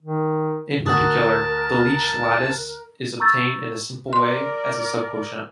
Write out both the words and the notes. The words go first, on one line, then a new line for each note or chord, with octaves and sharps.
In particular, the Leech lattice is obtained in a simple way as a subquotient.
D#3
D2 F#4 G#4 A#4 A5 F#6
A#5 C#6 E6 G6 A6
A#4 D5 C6